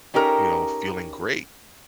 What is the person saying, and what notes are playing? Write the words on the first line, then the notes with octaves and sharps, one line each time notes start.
you know, feeling great
C#4 D#4 G4 A4 A#4